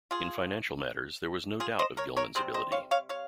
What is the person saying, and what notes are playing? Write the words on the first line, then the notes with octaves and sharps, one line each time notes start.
In financial matters, there was no doubt of Gilman's ability.
F4 G#4
F4 G#4
C5 D#5
A#4 C#5
A#4 C#5
C3 G3 C4 G#4 C5
C5 D#5
C#5 F5
C#5 F5
C#5 F5